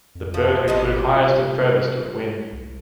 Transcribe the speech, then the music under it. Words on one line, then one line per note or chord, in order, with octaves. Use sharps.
The bird who flew highest and furthest would win.
F2
F3
G#1 F3 G3 D#5
C3
C2